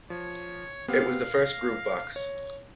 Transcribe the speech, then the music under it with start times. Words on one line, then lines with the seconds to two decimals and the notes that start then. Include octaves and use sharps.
It was the first groovebox.
0.10 F3 C#5
0.88 B3 C4 G4 F5
1.34 A#6
2.16 C#5